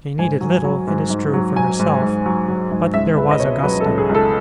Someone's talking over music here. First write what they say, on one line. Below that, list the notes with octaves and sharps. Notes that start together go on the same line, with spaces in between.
She needed little, it is true, for herself, but there was Augustine.
G#2 G#5
F#3
F#3
G#2
G#2
F#3
F#3 G#5
G#2
G#2
F#3
F#3
G#2
C#2 E5
C#2 B4
D#5
B2 C#5
F#3 B4
A4
C#2
G#4
C#2
A4